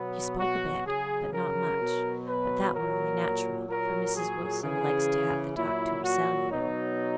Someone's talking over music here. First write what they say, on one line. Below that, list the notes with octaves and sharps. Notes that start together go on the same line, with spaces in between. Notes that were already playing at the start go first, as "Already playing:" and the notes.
She spoke a bit, but not much; but that were only natural, for Mrs. Wilson likes to have the talk to hersel, you know.
Already playing: B2 F#3 B3
F#4
C#3 F#3 G#4
A#4
B2 F#3
B4
A#2 F#3 A#4
A#2 F#3 A#4
G#4
C#3 E3 G#4
A#2 F#3 E4
F#4
B2 F#3 D#4